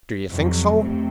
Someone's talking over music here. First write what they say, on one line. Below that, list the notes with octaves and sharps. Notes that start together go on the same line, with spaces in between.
"Do you think so?"
F2 C3 F#3
F2 C3 A3 C4